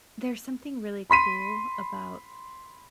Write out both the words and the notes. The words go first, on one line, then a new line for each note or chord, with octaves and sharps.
there's something really cool about
B5 C6 B6 D#7